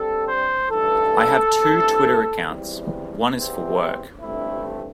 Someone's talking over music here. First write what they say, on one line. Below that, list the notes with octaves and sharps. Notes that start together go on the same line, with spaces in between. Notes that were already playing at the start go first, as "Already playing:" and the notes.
I have two Twitter accounts, one is for work.
Already playing: G2 G3 C4 A4
C5
A1 G2 E3 A4
G2 E3 A3 C4
E2 E3 G3 C4
E2 C3 E3 C4
A1 G2 D3 A3 C4 E4